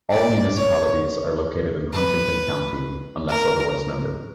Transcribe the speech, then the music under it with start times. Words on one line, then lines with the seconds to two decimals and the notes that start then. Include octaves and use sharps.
All municipalities are located in Huntingdon County unless otherwise noted.
0.11 D5
0.56 C#5
1.93 B4
3.30 A#4